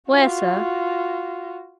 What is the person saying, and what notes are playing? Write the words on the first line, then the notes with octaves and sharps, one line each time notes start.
"Where, sir?"
F4 F#4